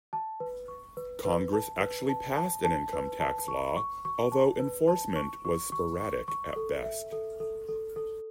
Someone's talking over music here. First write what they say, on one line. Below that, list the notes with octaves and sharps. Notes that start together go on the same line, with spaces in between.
Congress actually passed an income tax law, although enforcement was sporadic at best.
A5
B4
C#6
B4
B4
A5
B4
A5
A5
A5
B4
A5
C#6
C#6
C#6
A5
B4
A5
C#6
C#6
C#6
C#6
C#6
A4
E5
A4
A4
A4
A4